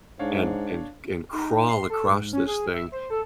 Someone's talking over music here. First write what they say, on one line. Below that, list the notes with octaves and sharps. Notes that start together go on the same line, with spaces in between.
and and and crawl across this thing.
G#2 D4 C#5 F5
D#4
C6
A4
G#2
C#4
G#4
E5
C5
A4